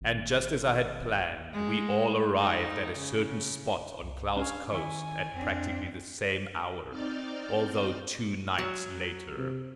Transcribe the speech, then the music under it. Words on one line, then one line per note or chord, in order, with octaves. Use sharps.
And, just as I had planned, we all arrived at a certain spot on Klow's coast at practically the same hour, although two nights later.
G#1
G#3
D#4
C#3
C2
C#4 D4 F5
D#3 E4 E5 G#5 C#6
F2 C4 D4
C4 D#4 D5 F6 G6 A6
F#3
C3